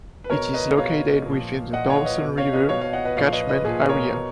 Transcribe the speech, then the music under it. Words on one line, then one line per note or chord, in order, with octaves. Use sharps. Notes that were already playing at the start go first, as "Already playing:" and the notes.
It is located within the Dawson River catchment area.
B4
B2 A#4 C#5
B4 D#5
B2 C#5 F5
A#2 F3
A#2 F3 D#5 F#5
C#5 F5
B4 D#5
B2
C#5 F5
B4 D#5
B2 C#5 F5
C#5 F5
D#5 F#5
B4 D#5
A#2 F3 C#5 F5
B4 D#5
B4 D#5
A#2 F3 G#4 B4
A#4 C#5
B2